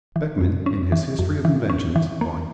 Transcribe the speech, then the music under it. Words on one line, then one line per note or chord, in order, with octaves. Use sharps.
Beckmann, in his History of Inventions, Vol.
E3
F#2
C#4
E3
F#2
E3
C#4
E3
A#3